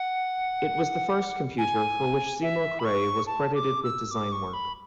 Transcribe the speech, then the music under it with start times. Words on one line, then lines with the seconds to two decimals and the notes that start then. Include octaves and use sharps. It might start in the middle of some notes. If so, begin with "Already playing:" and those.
It was the first computer for which Seymour Cray was credited with design work.
Already playing: F#5
1.58 G#5
2.43 E5
2.79 B5
2.85 C#6
3.27 A5
3.55 D6
3.84 E6
4.11 D6
4.32 C#6
4.53 B5